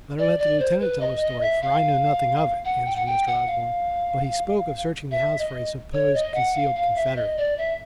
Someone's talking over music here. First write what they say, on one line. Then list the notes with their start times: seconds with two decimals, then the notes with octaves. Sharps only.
"Better let the Lieutenant tell the story, for I know nothing of it," answered Mr. Osborne; "but he spoke of searching the house for a supposed concealed Confederate."
0.19 D5
0.39 D5
0.60 C5
0.80 B4
1.01 D#5
1.21 D#5
1.41 E5
1.62 F5
2.65 F#5
2.85 G5
2.96 F#5
3.06 G5
3.27 F#5
3.47 F5
5.11 E5
5.39 D#5
5.93 C#5
6.14 D#5
6.35 F#5
6.55 F5
6.75 F5
6.96 E5
7.16 D#5
7.38 D5
7.58 E5